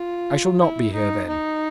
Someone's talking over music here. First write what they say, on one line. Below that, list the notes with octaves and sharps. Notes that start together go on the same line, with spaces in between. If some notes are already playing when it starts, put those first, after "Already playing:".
'I shall not be here then.'
Already playing: F4
E4
D#4
D#4